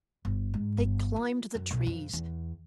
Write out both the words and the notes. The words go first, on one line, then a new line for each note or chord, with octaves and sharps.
They climbed the trees.
G1
G#2
G1
F4
F#2
B1
F2
E2